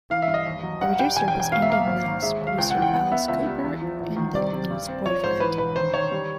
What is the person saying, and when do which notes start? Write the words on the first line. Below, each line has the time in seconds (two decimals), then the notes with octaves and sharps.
The producer was Andy Mills, producer of Alice Cooper and then Lee's boyfriend.
0.10 E3 F5
0.22 E5
0.28 G2
0.34 D#5
0.46 D#2
0.63 F#3
0.81 G2 F#5
0.99 G3 G5
1.16 E1 G#5
1.28 G5
1.34 E1
1.40 G5
1.52 B2 F5
1.62 E5
1.70 A#3 F5
1.87 G#1
2.05 D#3
2.22 G#3 E5
2.41 D#2
2.47 F5
2.58 C#2 G5
2.70 F#5
2.76 E3
2.82 G5
2.94 B3 F#5
3.11 B3 E5
3.28 C#2 E5
3.46 G3
3.64 E2
3.81 F3
3.99 A1
4.17 D#3
4.35 C3 D5
4.53 C3
4.71 G2
4.88 C4
5.06 F3 C#5
5.24 G#2 C5
5.40 E3 B4
5.58 E1 B4
5.76 D#3 C5
5.93 D#3 C#5
6.12 G3